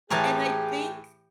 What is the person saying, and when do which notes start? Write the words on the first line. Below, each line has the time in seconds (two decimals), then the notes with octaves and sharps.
and I think
0.10 A2 E3 G4 G#4 A#4 G#5 A5